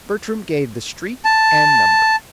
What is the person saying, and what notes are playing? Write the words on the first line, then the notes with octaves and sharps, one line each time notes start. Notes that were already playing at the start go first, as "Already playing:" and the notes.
Bertram gave the street and number.
A5